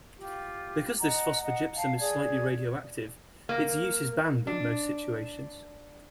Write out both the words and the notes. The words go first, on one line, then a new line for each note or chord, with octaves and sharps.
Because this phosphogypsum is slightly radioactive, its use is banned in most situations.
F4 G4
D#5 F#5 A#5
D#5 F#5
F5 A5
G#4 D5 G#5 G#6
A#3
D4